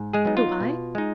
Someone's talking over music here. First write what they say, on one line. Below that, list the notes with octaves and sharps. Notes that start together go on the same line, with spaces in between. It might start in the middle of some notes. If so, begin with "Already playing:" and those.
"Who, I?"
Already playing: G#2
G#3 G#4
F#3 B3 D#4
F4
B2
G#3 D#4